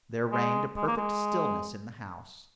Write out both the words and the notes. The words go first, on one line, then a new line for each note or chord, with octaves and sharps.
There reigned a perfect stillness in the house.
G#3
G#3
A#3
G#3